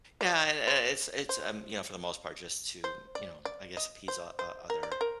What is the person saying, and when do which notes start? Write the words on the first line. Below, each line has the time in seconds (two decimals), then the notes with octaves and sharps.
Yeah, and and it's it's, um, you know, for the most part just to, you know, I guess, appease o o other,
0.21 D5
0.67 C5
1.29 C5
2.84 C5
3.15 D5
3.45 D5
3.77 D#5
4.08 C5
4.39 C5
4.70 A#4
4.83 D5
4.92 C5
5.01 A#4